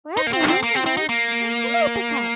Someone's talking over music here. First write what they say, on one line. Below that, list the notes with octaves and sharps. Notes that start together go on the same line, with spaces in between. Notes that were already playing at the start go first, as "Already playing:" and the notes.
Representatives from Connecticut.
D#4
A#3
C4
C4
A#3
C4
C4
D#4
A#3